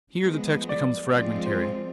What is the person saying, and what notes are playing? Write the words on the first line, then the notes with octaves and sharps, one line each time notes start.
Here the text becomes fragmentary.
F3 G#3 B3
D5
F3 G#3 C4 F4 D5
C5